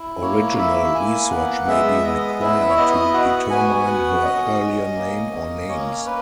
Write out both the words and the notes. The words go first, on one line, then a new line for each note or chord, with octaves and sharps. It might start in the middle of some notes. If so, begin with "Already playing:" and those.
Original research may be required to determine her earlier name or names.
Already playing: E4
A#3 C#5
E4 E5
A#3 G#5
B3 F#5
G#3 E5
B3 D#5
E4 E5
C#5
B3 D#5
F#4 F#5
B3 G#5
F#4 F#5
C#4 D#5
C#4
A#3
A#3
C#4 C#5
A#3 B4